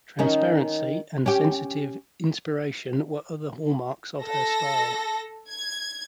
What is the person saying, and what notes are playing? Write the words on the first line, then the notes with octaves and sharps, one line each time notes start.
Transparency and sensitive inspiration were other hallmarks of her style.
D#3 C#4 D#4
C#4 G4
A4 A#6
G#6